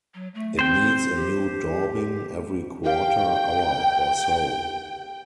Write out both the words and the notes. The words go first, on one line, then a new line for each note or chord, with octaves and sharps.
It needs a new daubing every quarter hour or so.
F#3
A3
C4 C5 G5
G4
G4 F5 G5